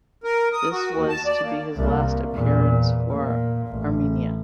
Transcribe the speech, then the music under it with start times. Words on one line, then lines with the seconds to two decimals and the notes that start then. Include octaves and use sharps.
This was to be his last appearance for Arminia.
0.24 A#4
0.53 D#6
0.71 F#4
0.94 D#2
1.09 A5
1.25 D5
1.42 A#3
1.76 C2 A#3
2.32 E2 A#2
3.11 A#2 A#3
3.67 A1